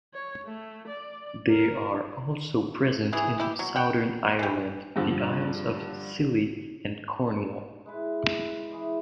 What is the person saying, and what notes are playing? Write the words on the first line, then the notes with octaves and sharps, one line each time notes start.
They are also present in southern Ireland, the Isles of Scilly and Cornwall.
C#5
A3
D5
A#4
E3 G#4
E4 G4
F#3
F#5 G5
E3 G4
G2 D3 F3
G#3 E4 B4
E3 G#4 C5 D5